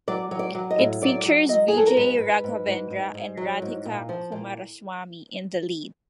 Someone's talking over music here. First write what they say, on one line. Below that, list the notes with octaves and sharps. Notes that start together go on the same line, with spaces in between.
It features Vijay Raghavendra and Radhika Kumaraswamy in the lead.
F#3 D5
F#3
D5
F#3
D#5
A2
F#3 D5
F#3
F#3 D#5
G#4
F#3 A4
A#4
G#2 B4
G#2
G#2
G#2
G#2
G#2
F#3
G#2
A#2
F3
A#2